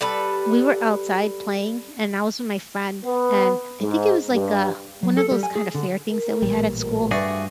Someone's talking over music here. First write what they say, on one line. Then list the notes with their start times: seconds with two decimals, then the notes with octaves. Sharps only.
we were outside playing and I was with my friend, and I think it was like, uh, one of those kinda fair things that we had at school,
0.01 G3 A4 B4
3.04 B3
3.81 G#2
4.32 G2
5.03 F#3
5.17 A4
5.31 G3
5.43 G#5
5.55 G#4
5.75 D3
6.08 A#4
6.42 A1 A#2 G3
6.79 F2 F#4 A#4
7.11 G2 A3 F#4 G#4 B4 D5